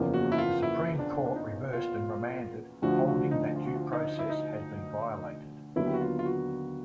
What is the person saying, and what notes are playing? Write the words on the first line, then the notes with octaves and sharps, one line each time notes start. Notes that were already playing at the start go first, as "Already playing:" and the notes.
The Supreme Court reversed and remanded, holding that due process had been violated.
Already playing: F#1 E2 C#3 F3 A#3
F#4
E4
F4
E4
D4
D4
D#4
F4
D2 D3 F3 F#4
F#4
D#4
F4
F#4
F4
D#4
E4
D#4
D#2 D3 F#3 B3 E4
G4
F#4
F4
F4
F#4